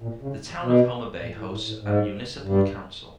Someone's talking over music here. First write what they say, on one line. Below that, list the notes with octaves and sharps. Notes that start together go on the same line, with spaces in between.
The town of Homa Bay hosts a Municipal Council.
A#2
C#3
B2
A#2
A2
A2
A2
G#2
G2